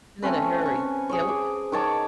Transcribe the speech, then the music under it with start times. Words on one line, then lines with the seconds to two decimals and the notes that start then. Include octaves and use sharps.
and in a hurry, yeah we
0.22 A3 C4 C#4 B4
0.61 G#5 C#6
1.09 G#4 C5 C#5
1.28 D6
1.72 D#3 C#5 A5 D6